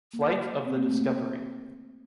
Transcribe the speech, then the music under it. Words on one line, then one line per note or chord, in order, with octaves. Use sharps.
Flight of the Discovery.
A#3
C4
A#3
A3
A#3